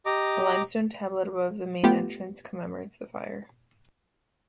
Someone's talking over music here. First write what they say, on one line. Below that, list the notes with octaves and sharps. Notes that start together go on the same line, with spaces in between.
A limestone tablet above the main entrance commemorates the fire.
G4 D#5 A#5 D6
A3 B3 F4 G4